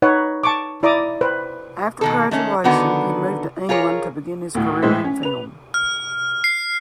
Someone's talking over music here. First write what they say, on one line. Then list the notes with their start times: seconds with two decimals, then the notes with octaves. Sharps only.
After graduation, he moved to England to begin his career in film.
0.02 D#4 B4 C#5 F#5
0.43 A5 C#6 D6
0.83 E4 D5 A#5 D6 D#6
1.21 B4 C5
2.01 B2 D#3 A4
2.31 D#3 A3 C#4
2.64 D3 D#3 B3 F#4
3.69 F4 G#4 A#4 C#5
4.55 D2 A2
4.82 A2 G#3 C5 B6
5.04 C#4
5.23 B4 F7
5.74 F6
6.44 C7